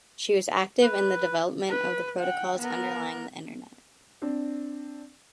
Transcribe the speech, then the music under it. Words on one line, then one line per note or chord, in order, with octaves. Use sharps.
She was active in the development of the protocols underlying the Internet.
B4
B4
F#5 G5
B3 A#4
C4 D4